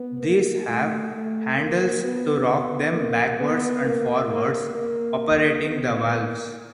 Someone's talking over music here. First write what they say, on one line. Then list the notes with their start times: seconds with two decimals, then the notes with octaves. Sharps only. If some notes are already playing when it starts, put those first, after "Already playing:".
These have handles to rock them backwards and forwards operating the valves.
Already playing: B3
0.23 A#3
0.68 A3
1.13 A3
1.58 A#3
2.04 B3
2.49 B3
2.94 A#3
3.39 B3
3.84 A#3
4.30 A#3
4.75 A#3
5.65 B3
6.11 A#3